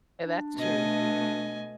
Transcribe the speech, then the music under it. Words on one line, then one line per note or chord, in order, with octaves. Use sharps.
and that's true.
D4
B2 A3 D#5 G#5